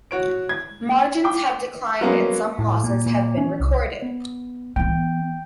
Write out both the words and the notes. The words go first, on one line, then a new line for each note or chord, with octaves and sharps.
Margins have declined and some losses have been recorded.
F#4 C#5 D7
G#6
G5 D6
F#3 G#3 A#3 B3 C#4
A2
A#2
A#2
C#4
C2
B3
E3 B3 G5